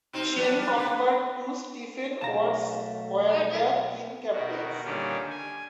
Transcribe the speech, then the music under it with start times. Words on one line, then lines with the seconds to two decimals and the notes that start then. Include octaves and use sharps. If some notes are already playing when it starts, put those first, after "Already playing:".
Sean Conover and Stephen Watts were the team captains.
0.13 B2 C4 D#4
0.36 F#3 D4 E4
0.56 G3 D4
0.77 C3 B4
2.21 B1 A3 C#5 F5 F#5 A5 A#5
4.32 B2 D#3 F#4
4.85 A#2 D3 D#3 G3 C#4 D4
5.30 G#5